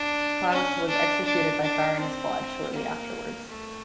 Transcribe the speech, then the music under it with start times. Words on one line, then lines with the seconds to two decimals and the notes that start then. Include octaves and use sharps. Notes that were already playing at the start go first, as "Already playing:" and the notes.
Claus was executed by firing squad shortly afterwards.
Already playing: D4
0.51 C#4
0.88 D4
1.25 D4
1.62 D4
2.00 C4
2.73 A#3
3.48 A3